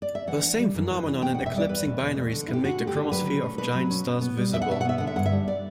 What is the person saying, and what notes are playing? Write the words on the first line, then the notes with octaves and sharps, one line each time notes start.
The same phenomenon in eclipsing binaries can make the chromosphere of giant stars visible.
D5
E5
E3 F#5
D4
G3
F#2
E3
D4
B2 G5
E2 F#5
E5
G3 D5
E2 B4
B2
E2
A3
D3
E4
G4
D3 F#4
A3
G4
D3
F#3 B4
C#4
A3
B2 B4
F#3
C#4
B2
B3
G3
E2 E5
F#5
B2 E5
F#5
B3 E5
D3 F#5
E5
G2 F#5
E5
G3
D5